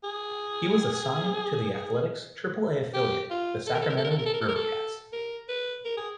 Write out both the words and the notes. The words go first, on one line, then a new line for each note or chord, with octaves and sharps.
He was assigned to the Athletics' Triple-A affiliate, the Sacramento River Cats.
G#4
G4
F4
A4
A#4
A4
A#4
A4
A#4
A4
A#4
A4
A#4
A4
A#4
A4
A#4
B4
A#4
G#4